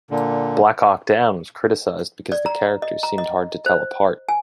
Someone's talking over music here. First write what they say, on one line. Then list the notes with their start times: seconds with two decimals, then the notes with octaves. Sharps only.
"Black Hawk Down" was criticized because the characters seemed hard to tell apart.
0.11 A#2 D3
2.32 D5
2.46 A#5
2.82 D#5
3.03 A#5
3.18 D#5
3.66 C5
4.29 G#5